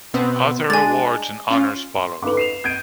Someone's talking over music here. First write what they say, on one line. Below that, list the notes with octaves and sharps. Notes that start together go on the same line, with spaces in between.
Other awards and honors followed.
B2 B3 C4
G#3 D4 G#5 A6
C#4 F4
C6
D#4 A4 B4 F5 D6
C7 E7 F7
G6 G#6 D7 D#7